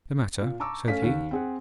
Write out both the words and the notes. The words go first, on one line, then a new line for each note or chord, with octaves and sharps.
'The matter?' said he.
A#2
A5 A#5 C#6 D6 E6
A3 C#4 A4 F5 B6
D#2
C4 G#4 F#5